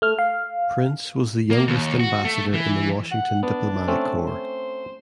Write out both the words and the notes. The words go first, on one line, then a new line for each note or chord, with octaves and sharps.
Prince was the youngest ambassador in the Washington diplomatic corps.
A3 F6
F5
A#3
D#2
F#4
A3
E3
F#5
B3 D4
A3 C4 C#4
C5